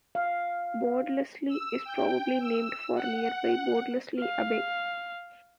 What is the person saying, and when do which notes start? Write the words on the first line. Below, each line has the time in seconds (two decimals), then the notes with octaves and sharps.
Bordesley is probably named for nearby Bordesley Abbey.
0.15 F5
1.48 E6
1.84 G5
2.39 E6
2.94 F#5
4.20 F5